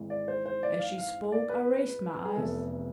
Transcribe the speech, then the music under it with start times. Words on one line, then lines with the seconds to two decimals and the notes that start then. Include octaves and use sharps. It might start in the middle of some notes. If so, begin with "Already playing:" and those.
As she spoke I raised my eyes.
Already playing: G#1 G#2 E3
0.10 D5
0.28 C5
0.46 C5
0.63 D5
0.80 F5
0.98 F5
1.32 D5
1.49 B4
2.25 G#4
2.36 F1 E2 C3 A4